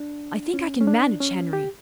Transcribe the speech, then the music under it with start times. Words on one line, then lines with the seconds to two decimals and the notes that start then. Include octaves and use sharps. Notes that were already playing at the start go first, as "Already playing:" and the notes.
I think I can manage Henry.
Already playing: D4
0.54 C#4
0.81 C#4
0.87 D4
1.20 C#4
1.53 G4